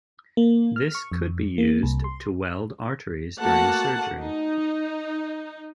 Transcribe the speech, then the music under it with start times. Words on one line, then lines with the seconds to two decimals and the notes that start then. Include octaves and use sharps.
This could be used to weld arteries during surgery.
0.37 A#3
0.76 F6
0.95 C#6
1.12 F2
1.58 A#3
1.83 C2
2.04 C6
3.39 A3 A#3 F#4 F#5 A5
4.18 D#4